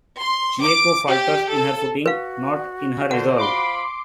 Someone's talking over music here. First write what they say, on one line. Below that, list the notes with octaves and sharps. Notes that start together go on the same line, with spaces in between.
Chieko falters in her footing, not in her resolve.
C6
D6
G4
A4
F#4 B4 F5
D3 C5 F#5
F3 F5 B5 C6 D6